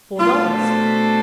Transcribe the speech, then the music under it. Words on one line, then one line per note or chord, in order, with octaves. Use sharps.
"Four dollars."
B2 A3 D4 F4 A4 C5